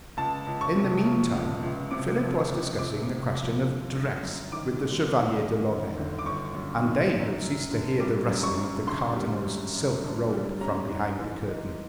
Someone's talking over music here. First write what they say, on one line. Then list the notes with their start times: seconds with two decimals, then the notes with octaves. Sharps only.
In the meantime Philip was discussing the questions of dress with the Chevalier de Lorraine, and they had ceased to hear the rustling of the cardinal's silk robe from behind the curtain.
0.17 C#2 A5
0.47 C#2
0.61 C#6
0.76 C3
1.05 F3
1.33 C#2
1.63 C#2
1.91 C3 D6
2.21 F3
2.49 C#2
2.78 C#2 D6
3.07 C3
3.36 F3
3.66 G1
3.94 G1
4.23 F#2
4.52 D#3 D6
4.81 G1
5.10 G1
5.39 F#2
5.68 D#3
5.97 G1
6.19 D6
6.26 G1 C#6
6.55 F#2
6.84 D#3
7.13 F#2
7.42 F#2
7.71 D3
8.00 G3 D6
8.29 F#2
8.43 C#6
8.58 F#2
8.87 D3 C6
9.16 G3
9.46 F#2
9.75 F#2
10.04 D3
10.33 G3
10.61 C#4 A#5
10.90 G#2
11.19 E3
11.48 G#3